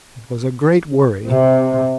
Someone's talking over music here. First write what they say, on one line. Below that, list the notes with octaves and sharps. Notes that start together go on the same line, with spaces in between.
It was a great worry.
C3